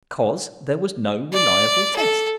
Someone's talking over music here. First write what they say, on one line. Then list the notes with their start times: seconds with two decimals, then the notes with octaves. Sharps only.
Because there was no reliable test.
1.33 D5
1.96 A4